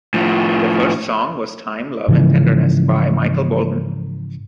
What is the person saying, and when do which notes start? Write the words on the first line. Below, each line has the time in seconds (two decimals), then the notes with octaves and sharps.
The first song was "Time, Love and Tenderness" by Michael Bolton.
0.14 A2 F3
2.08 G#2 C#3 E3 F3